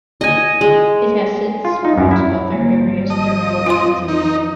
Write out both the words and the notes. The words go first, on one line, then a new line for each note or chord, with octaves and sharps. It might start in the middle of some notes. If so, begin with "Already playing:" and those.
It has since spread to other areas throughout Tanzania.
D#5 G#5
G#3
F4
D#4
F#2
E4
G#1 D3 G3 G#3 A#3
D#5 A5
F2 F4 F5 G#5 C6
D#4